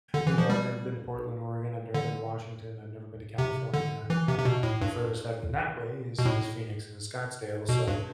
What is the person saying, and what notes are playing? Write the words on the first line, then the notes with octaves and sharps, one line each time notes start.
you know, I've never been to Portland, Oregon, I've never been to Washington, I've never been to California, uh, the furthest I've been that way is is Phoenix and Scottsdale, so
D3
E3
F3
G3
D3
C3
D3
E3
C3
C3
B2
A2
G2
B2
A2
B2
G2